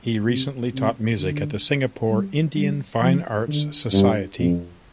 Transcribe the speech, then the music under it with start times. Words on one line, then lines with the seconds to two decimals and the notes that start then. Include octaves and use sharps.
He recently taught music at the Singapore Indian Fine Arts Society.
0.28 C3
0.73 C3
1.19 D3
2.10 G3
2.56 G3
3.01 F3
3.48 D3
3.93 G2
4.39 F2